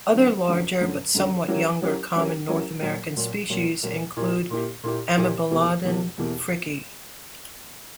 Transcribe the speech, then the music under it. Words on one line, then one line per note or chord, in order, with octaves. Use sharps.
Other larger but somewhat younger common North American species include "Amebelodon fricki".
F#2 D3 F#3
F#2 D3 F#3
F#2 D3 F#3
F#2 D3 F#3
F#3 C#4 E4 G4 A#4
F#3 C#4 E4 G4 A#4
F#3 C#4 E4 G4 A#4
F#3 C#4 E4 G4 A#4
A#2 F#3 A#3
A#2 F#3 A#3
A#2 F#3 A#3
A#2 F#3 A#3
A#2 A#3 E4 G4
A#2 A#3 E4 G4
A#2 A#3 E4 G4
A#2 A#3 E4 G4
E2 B2 A#3 E4 G4
E2 B2 A#3 E4 G4
E2 B2 A#3 E4 G4